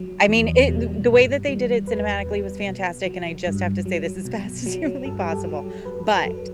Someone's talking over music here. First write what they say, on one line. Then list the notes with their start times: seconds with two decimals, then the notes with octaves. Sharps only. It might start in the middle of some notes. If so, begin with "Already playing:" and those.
I mean, it th the way that they did it cinematically was fantastic, and I just have to say this as fast as humanly possible, but
Already playing: F#3
0.28 E2
0.68 B2 G3
1.07 G2
1.48 E3 G3
1.87 E2 B4
2.26 B2 G3
2.67 B2
3.06 F#3
3.47 G2
3.86 F#3
4.25 B2
4.66 F#3
5.05 G2 A4
5.19 G4
5.32 A4
5.46 F#3
5.85 F#2 B4
6.06 B4
6.25 F#3 A4